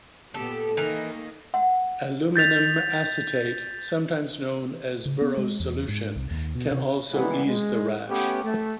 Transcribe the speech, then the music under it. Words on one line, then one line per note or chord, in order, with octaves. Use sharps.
Aluminium acetate, sometimes known as Burow's solution, can also ease the rash.
A#2 B3 G4 A4
D#3 E3 A#3 D#4 A#4
F#5
G6 A6 B6 F7
C#3
B3
G#3
E2
G#2
C2
D#2
B2
C3
A#2 E3 G3 G#3 B3
G#3
A3 B3 C#4 G4
A3